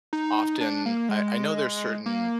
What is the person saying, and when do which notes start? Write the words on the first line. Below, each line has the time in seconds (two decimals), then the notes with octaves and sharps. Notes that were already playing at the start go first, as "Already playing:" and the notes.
often, I I know there's certain,
0.13 D#4
0.61 D4
0.86 A#3
1.09 G#3
2.06 A#3